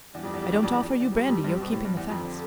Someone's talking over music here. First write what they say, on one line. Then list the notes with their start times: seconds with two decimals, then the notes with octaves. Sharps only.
I don't offer you brandy, you're keeping the fast.
0.14 E2 G3 D4 G4 D5
0.24 F2
0.34 E2
0.43 F2
0.52 E2
0.63 F2
0.73 E2
0.81 F2
1.00 E2
1.11 F2 G3 C4 G4
1.28 F2
1.44 G2
1.60 B2
1.72 A2
1.85 G2
1.97 E2
2.09 F2 D3 F3 C4 G4